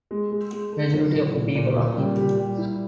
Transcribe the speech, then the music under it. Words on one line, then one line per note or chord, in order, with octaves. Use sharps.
Majority of the people are Hindu.
G#3
G#3
G#3
A3
F#3
A2
A#2
A#2
A#2
G3
G4
G3
E4